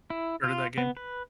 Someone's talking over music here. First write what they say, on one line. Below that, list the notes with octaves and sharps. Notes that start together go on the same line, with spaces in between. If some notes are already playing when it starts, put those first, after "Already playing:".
heard of that game?
E4
F4
B3
B4